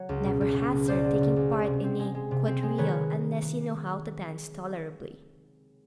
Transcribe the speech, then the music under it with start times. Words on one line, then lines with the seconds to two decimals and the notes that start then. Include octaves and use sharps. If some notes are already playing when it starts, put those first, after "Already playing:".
Never hazard taking part in a quadrille unless you know how to dance tolerably.
Already playing: F#3 C#5
0.09 C#2
0.25 B2
0.41 C#2
0.57 C#2
0.73 B2
0.88 C#2 C5 D5
1.04 F#3
1.21 C#2
1.36 C#2
1.52 C4
1.67 C3
1.84 C4
1.99 G#3
2.15 G#3
2.31 C3
2.47 C4
2.63 G#3
2.78 D#3 B4 C#5